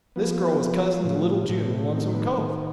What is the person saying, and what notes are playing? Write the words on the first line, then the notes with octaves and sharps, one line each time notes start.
This girl was cousin to little June in Lonesome Cove.
F3 B3
F3
A2
A2
D#3 C4
B3
D#3 A3